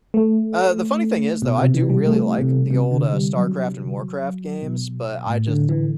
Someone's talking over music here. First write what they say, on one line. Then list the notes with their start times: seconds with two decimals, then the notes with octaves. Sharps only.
Uh, the funny thing is though, I do really like the old, uh, StarCraft and Warcraft games, but I just
0.14 A3
1.42 B2
1.58 C3
1.74 E3
1.90 G3
2.06 A3
2.39 C3
2.70 C3
2.91 D3
3.13 G3
3.34 F#3
4.62 B2
5.27 A2
5.48 D3
5.69 E3